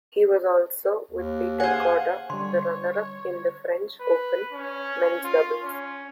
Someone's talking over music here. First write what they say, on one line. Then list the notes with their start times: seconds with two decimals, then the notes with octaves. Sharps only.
He was also, with Petr Korda, the runner-up in the French Open men's doubles.
1.11 D#2
1.60 G#4 C5 F5 F#5 G#5
2.30 D3 G3 C#5 C6
4.00 B4
4.53 C#4
5.24 F4
5.64 C#4